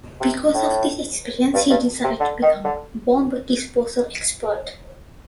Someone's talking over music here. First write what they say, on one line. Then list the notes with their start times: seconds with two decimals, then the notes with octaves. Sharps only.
Because of this experience he decided to become a bomb disposal expert.
0.20 C3
0.54 A2
1.54 G2
1.70 G2
2.04 C3
2.20 D3
2.42 D#3
2.65 D3